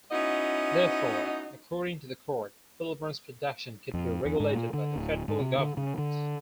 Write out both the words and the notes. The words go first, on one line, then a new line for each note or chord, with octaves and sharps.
Therefore, according to the court, Filburn's production could be regulated by the federal government.
B3 C#4 D#4 E4 F#4 D#5
F2
E2
G#2
A#2
D3
D1
G#2
C3
D3
C#3
D3